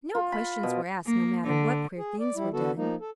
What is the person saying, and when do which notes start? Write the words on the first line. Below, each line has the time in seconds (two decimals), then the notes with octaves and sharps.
No questions were asked no matter what queer things were done.
0.15 F4
0.32 B5
0.63 B2
1.05 A#3
1.44 D3
1.98 G#4
2.20 D5
2.36 G3 E4
2.53 D3 B3 F#4 A4
2.77 F3 A#3 D#4
3.01 A4